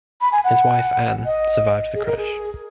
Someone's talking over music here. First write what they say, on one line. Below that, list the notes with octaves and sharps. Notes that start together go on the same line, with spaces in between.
His wife Ann survived the crash.
B5
G#5
F#5
D#5
G#4
A#4
G#4